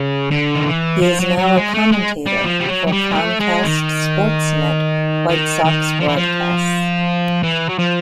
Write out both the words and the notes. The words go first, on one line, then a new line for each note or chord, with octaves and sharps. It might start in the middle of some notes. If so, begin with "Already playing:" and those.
He is now a commentator for Comcast SportsNet White Sox broadcasts.
Already playing: C#3
D3
D#3
E3
F3
F#3
F#3
G#3
A3
G#3
G3
F3
G3
F#3
F#3
G3
G#3
A3
G#3
D#3
D#3
D#3
F3
E3
F3
E3
F#3
F3